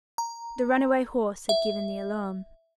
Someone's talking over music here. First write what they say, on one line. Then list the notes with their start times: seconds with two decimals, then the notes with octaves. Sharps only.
The runaway horse had given the alarm.
0.18 A#5
1.49 E5